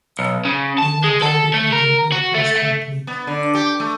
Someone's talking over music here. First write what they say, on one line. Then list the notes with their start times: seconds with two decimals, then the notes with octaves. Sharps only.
He would die before this work was complete.
0.19 B1
0.45 C#3
0.78 A5
1.04 G#3
1.22 A4
1.54 A3
1.73 A#4
2.12 F#4
2.34 A3
2.56 A3
3.07 B3
3.27 D3
3.55 G4
3.80 A3